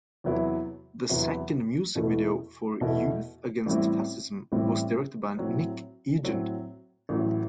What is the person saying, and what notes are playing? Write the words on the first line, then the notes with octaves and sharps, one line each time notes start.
The second music video, for "Youth Against Fascism", was directed by Nick Egan.
E2 C3 F#3 B3 E4
E2 C3 F#3 B3 E4
E2 B2 A3 E4
E2 B2 A3 E4
A1 A2 G3 C4 E4
A1 A2 G3 C4 E4
A2 F#3 C4
A2 F#3 C4
A1 A2 F#3